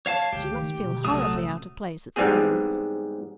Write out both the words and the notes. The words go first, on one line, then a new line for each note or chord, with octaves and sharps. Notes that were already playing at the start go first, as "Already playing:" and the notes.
She must feel horribly out of place at school.
C#5 F5 A5
C#2 D3 G4
D#3 A3
D1 D2 B2
A#1 C3 F#3 A3 C#4 D#6
G#2 E3 G3 B3 C4 G#4